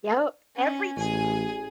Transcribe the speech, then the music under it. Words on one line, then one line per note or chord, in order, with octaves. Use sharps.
Yep, every
C#4
A1 G#4 G#5